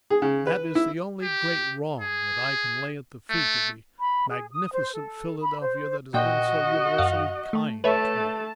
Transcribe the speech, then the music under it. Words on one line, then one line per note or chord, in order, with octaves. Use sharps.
That is the only great wrong that I can lay at the feet of the magnificent Philadelphia that has been so universally kind to me.
G#4
C#3
B4
E4
G4
G#4
A3
B5
G#4
D#6
C5
A4
B5
C5
A#2 F#4 D#5 G5
F#2 F5 F#5
A3
A3 B4 C#5 E5 A5